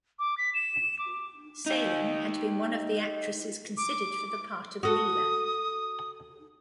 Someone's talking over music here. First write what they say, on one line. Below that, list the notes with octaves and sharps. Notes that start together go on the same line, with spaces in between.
Salem had been one of the actresses considered for the part of Leela.
D6
B6
E7
D6
D#4 G4
D6
F#4 A4 D#6